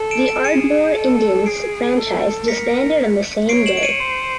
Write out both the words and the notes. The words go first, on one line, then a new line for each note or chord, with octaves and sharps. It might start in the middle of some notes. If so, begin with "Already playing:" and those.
The Ardmore Indians franchise disbanded on the same day.
Already playing: A4
D7 E7
D7 E7
G#4 C#7 D#7
A4
G#4 C7 D7
A4
A#4 B6 C#7
C#5 C7 D7
E7 F#7
D7
C#7 D#7
C5